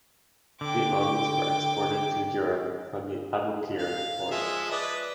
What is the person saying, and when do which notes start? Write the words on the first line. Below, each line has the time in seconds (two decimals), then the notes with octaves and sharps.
The almonds were exported to Europe from the Aboukir port.
0.61 D3 G5 D6
3.79 F5
4.31 F3 G#3 E5
4.71 B4 D5 D#5